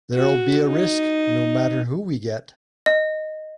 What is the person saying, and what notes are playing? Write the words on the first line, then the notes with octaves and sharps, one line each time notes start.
There’ll be a risk, no matter who we get.
F#4
D#4
D#5